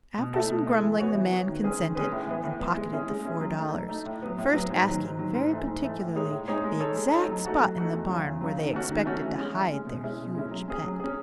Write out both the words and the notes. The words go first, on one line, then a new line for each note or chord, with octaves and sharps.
After some grumbling the man consented, and pocketed the four dollars, first asking very particularly the exact spot in the barn where they expected to hide their huge pet.
B2
A3 E4 A4
B2
A3 E4 A4
E3
B3 F#4 C#5
E3
B3 F#4 C#5
D#3
G#3 C#4 G#4 B4
D#3
G#3 C#4 G#4 B4
A2
E3 B3
A2
E3 B3
G#3
C#4 E4 G#4
G#3
C#4 E4 G#4
F#3
A3 D#4
F#3
A3 D#4
A2
F#3 B3
A2
F#3 B3
G#2
D#3 F#3
G#2
D#3 F#3
G#2
E3 A3
G#2
E3 A3
A2
G#3 D#4 G#4 C#5
A2
G#3 D#4 G#4 C#5
G#3
D#4 A4 C#5
G#3
D#4 A4 C#5
F#3
A3 D#4 F#4 A4
F#3
A3 D#4 F#4 A4
E2
C#3 F#3
E2
C#3 F#3
D#3
A3 C#4 F#4
D#3
A3 C#4 F#4
E3
G#3 C#4
E3
G#3 C#4
B2
G#3 C#4 E4
B2
G#3 C#4 E4
F#3
C#4 G#4
F#3
C#4 G#4